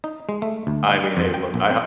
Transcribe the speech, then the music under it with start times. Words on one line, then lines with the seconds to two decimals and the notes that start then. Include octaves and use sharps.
I mean, hey look, I ho
0.04 D#4
0.29 G#3
0.42 A3
0.67 D2
0.89 D#4
1.04 G3
1.17 F2
1.34 G5
1.54 A#1
1.70 C4